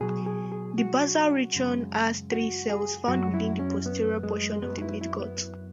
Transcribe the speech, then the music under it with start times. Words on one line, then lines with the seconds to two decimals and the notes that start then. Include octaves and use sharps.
The basal region has three cells found within the posterior portion of the midgut.
0.01 B2 F#3 G#4
0.26 G#4
0.52 G#4
0.78 F#4
1.54 F#2 C#3 G#3
2.32 F#4
2.70 G#4
3.08 F#2 F#3 F#4
3.34 E4
3.59 C#4
3.86 B3
4.23 G#3
4.52 G#3
4.62 F#2 F#3 B3
4.82 E4
5.01 E4
5.19 B3